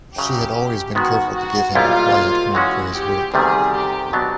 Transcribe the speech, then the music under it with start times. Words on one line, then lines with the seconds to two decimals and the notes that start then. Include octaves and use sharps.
She had always been careful to give him a quiet room for his work.
0.16 F#2 C#3 F#3 G4
0.95 D#3 G#3 B3 F#4
1.36 F#4
1.75 B1 A#2 G3 B3 E4 F4
2.54 E3 G#3 C#4 F#4
2.94 G4
3.34 D2 C3 D#3 G3 B3 G#4
3.73 G4
4.13 B2 F#3 B3 D4 G4